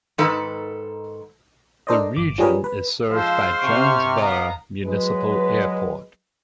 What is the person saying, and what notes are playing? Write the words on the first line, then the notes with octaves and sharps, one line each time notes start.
The region is served by Jonesboro Municipal Airport.
G#2 D#3 A4 B4
D4 A4 A#4 C5 D5 D#5
G1 D6
F3 G3 C#4 G#4 A#4 B4
B4
F3 G#3 C5 F5 E6
C3 C#6 F6
B3 F5 A#5
F#3 G#3 B4